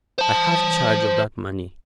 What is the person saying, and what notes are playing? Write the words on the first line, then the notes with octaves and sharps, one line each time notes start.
I have charge of that money.
C5 A5